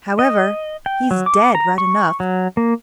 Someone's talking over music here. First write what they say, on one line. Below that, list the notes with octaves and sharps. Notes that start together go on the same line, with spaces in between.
However, he's dead right enough.
D#5
G5
F#3
D6
A#5
C#6
F#3
A#3